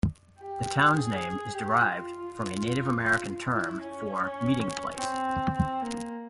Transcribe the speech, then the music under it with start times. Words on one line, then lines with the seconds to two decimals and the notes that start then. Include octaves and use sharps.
The town's name is derived from a Native American term for meeting place.
0.39 G4
0.96 G#4
1.53 G4
1.82 F4
3.24 F4
3.53 E4
3.81 C#4
4.96 C4
5.53 C4
5.82 A#3